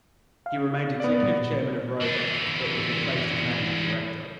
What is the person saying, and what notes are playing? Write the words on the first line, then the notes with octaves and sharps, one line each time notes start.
He remained executive chairman of Rover but was replaced as managing director.
F5
B3 D5
A#2 G3
E3 D4